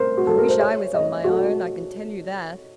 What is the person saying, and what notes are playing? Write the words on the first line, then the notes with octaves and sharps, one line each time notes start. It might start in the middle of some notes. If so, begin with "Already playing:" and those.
"I wish I was on my own, I can tell you that."
Already playing: A#4 C5
F#4
A4
A#4
C5
C#5
D#5
F#4
A4